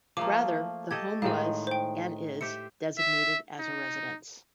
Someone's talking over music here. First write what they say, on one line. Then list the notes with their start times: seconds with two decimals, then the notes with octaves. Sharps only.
Rather, the home was and is designated as a residence.
0.17 F3 A3 A#3 D6
0.91 G4 A4 D#5 G#6
1.22 A2 D#3 G#3 D#5 F5
1.67 C5 G5
2.41 G4 C5 E5 C#7
2.98 E5
3.59 D#4